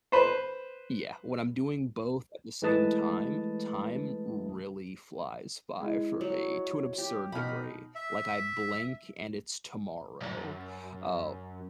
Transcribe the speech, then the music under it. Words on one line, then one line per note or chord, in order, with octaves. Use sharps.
Yeah, when I'm doing both at the same time, time really flies by for me to an absurd degree, like, I blink and it's tomorrow, uh,
B4 C5
E3 G#3 A3 B4 A5 D#6
G#3 E4
F#3
G4
B2 D#4 B5 F6
E5
B1 F#2